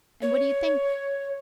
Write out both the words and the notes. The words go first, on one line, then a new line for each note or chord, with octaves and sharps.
And what do you think?
C#5